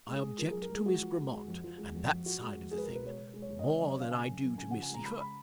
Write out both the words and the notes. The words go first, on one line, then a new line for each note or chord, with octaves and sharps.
"I object to Miss Grammont and that side of the thing, more than I do to Miss Seyffert."
G#3
G#4
G#3
F3 A#4
F#2 G#4
A#4
G#3 G#4
G#3 F#4
F3
G#3
G#3
F2
F3
G#3
F2
F2
F3 F#4
G#3
F2
G#3 G#4
B4
B2 A#4
B4
G#3 C#5
B2
G#3
C#5
G#3
D#5
C#3 C#5
F#2 D#5
C#5
C#3 F5
C#3 G#5
F#2
F#2
C#3 G#5
F3 F#5
G#5
G#3 A#5
C#3 B5
B5